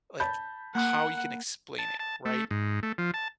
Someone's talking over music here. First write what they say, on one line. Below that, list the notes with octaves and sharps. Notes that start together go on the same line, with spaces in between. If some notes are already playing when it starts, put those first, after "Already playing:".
like, how you can explain it, right?
A5 B5 G6
A#3 F#5
A5
A5
A3
G#2
A3
F3
A5